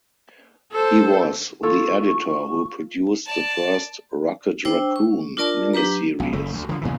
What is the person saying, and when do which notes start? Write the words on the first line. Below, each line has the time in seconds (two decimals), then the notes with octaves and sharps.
He was the editor who produced the first "Rocket Raccoon" miniseries.
0.72 A4 C5
1.63 F4 A4 C#5 C#6
3.26 D5 A5
4.65 D4 C5 G5 E6
4.96 C#6
5.37 D4 F4 A#4 D5 A5
5.73 F#3 D4 G4 B4 A#5
6.20 B1
6.33 F#1 A3
6.53 D2
6.69 D3 F3
6.81 A#2 C#3 E3